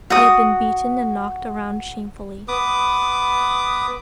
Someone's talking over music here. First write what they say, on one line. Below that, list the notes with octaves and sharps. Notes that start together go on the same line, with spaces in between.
He had been beaten and knocked around shamefully.
F#4 D#6
B3 B4 D6 D#6